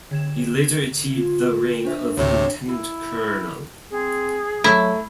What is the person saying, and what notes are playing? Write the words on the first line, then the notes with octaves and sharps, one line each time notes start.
He later achieved the rank of lieutenant colonel.
D3 G#6 E7
F4
D4 C5 E5
D2 A2 C3 C#5
E4
C4 G#4
F#3 A3 E4